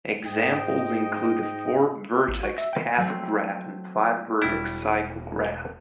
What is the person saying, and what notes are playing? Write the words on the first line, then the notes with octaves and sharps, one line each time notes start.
Examples include the four-vertex path graph and five-vertex cycle graph.
G#2 D#5 G5
A1
F#4
E5
G5
F#3 A3 C4
E1 G3 D4 E4 F#4 G5